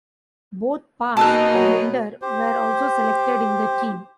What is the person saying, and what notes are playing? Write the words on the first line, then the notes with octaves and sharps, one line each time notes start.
Both Pash and Lindner were also selected in the team.
B2 A#3 D#4 G#4 A5 E6 F#6
F#3
G4 C5